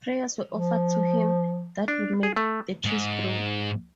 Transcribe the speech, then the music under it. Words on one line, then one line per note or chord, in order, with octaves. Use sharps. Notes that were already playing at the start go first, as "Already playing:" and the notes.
Prayers were offered to him that would make the trees grow.
F3
D4
G#4
A3
G#2